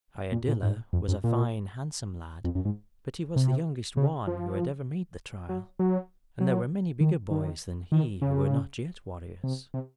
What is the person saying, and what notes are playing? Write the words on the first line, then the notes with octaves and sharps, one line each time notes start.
Iadilla was a fine handsome lad, but he was the youngest one who had ever made the trial, and there were many bigger boys than he who were not yet warriors.
A#2
A#2
G#2
F2
F#2
A#2
F2
F#2
G#2
C3
C#3
F3
F#3
F#3
F#3
D#3
D#3
D#3
C#3
C3
C3